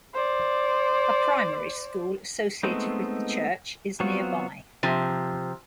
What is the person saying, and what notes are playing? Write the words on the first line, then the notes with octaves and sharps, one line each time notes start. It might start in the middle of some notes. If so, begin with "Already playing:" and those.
A primary school associated with the church is nearby.
C5 D5
G#3 A3 B3 C4 D#4
F#3 B3 C4 F4 F#4
C3 F3